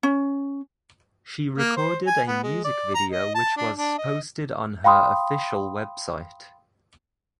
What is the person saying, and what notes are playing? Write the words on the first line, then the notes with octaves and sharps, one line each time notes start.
She recorded a music video which was posted on her official website.
C#4
A#3
C5
G#5
B3
G#3
D5
A#5
D#5
A5
D4
D4
D#5
F5 G5 B5 C6 D#6